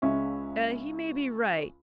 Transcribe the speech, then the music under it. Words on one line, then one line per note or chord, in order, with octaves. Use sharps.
He may be right.
C#2 G#3 C#4 E5